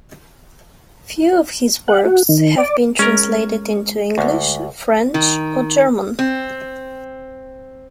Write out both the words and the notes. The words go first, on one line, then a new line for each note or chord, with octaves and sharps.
Few of his works have been translated into English, French or German.
F#5
F#4
D#3
D5
G#3 C#4 A#4
D2
D#3
C4